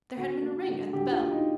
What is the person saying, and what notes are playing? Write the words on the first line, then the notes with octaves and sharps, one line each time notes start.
There had been a ring at the bell.
D3 F#4
A#3
D3
D3 G4
F4
A#3
D#4